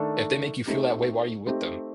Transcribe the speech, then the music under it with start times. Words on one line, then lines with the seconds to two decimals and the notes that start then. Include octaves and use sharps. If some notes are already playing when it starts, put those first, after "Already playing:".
If they make you feel that way, why are you with them?
Already playing: D#3 A3 D4 A4
0.66 A3 C4 D#4 G4
1.47 A3 C4 D#4 G4